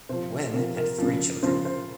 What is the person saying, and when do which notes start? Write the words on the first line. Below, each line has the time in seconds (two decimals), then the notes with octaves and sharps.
Wen had three children.
0.09 C3 F3 C5
0.53 C3 F3 A#4
0.76 A#4
0.98 C#3 F3
1.43 C#3 F3 C5
1.65 C5